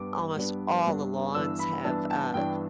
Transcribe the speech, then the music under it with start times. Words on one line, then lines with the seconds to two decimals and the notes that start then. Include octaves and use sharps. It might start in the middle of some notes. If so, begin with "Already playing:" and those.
almost all the lawns have, uh,
Already playing: G2 G3 B3 D4 D6
0.35 G2 G3 B3 D4
0.86 G2 G3 B3 D4
1.35 G2 E3 B3 D4 E6
1.59 B5
1.84 G2 E3 B3 D4 A5
2.10 A5
2.34 G2 E3 B3 D4 G5